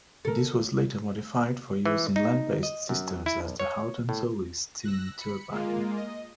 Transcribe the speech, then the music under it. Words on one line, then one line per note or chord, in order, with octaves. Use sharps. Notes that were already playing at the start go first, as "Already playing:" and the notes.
This was later modified for use in land-based systems as the Howden-Zoelly steam turbine.
A4 A#4
E3
D#4
D#5
F#2
E4
B1
C#5
A2
E6 F#6 A#6
B5 C#7
G#3 A#3 F4
D#5